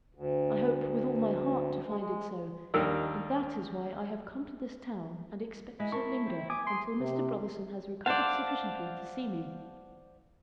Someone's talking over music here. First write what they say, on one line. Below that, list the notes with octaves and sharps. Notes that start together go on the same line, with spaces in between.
I hope with all my heart to find it so, and that is why I have come to this town and expect to linger till Mr. Brotherson has recovered sufficiently to see me.
D2
G#3
G#3
D#2 G3 D4 D#4 A#4 E6
G#3 E4
A#4 A5 C#6
C4
G#5 D6 D#6
C6
C3
C5 D5 F5 F#5 A5